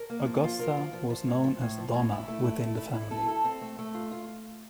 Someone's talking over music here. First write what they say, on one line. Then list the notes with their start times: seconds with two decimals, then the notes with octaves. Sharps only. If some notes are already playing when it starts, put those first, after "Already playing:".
Augusta was known as "Dona" within the family.
Already playing: A#4
0.10 A#3
0.26 F3
0.44 F4
0.59 A#4
0.77 F3
0.93 F3
1.10 F3
1.27 A2
1.44 F3
1.61 A2
1.78 F3
1.94 A2
2.11 E4
2.28 A3
2.44 E4
2.61 A3
2.77 E4
2.95 E4
3.11 A4
3.28 A4
3.44 C4
3.61 A3
3.79 A3
3.95 F4
4.11 F4